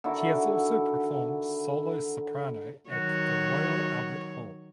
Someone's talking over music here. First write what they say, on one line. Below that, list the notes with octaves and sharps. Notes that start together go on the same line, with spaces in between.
She has also performed solo soprano at the Royal Albert Hall.
D3 D#3 E4 F#4
D#3 F#3 F#4 C#5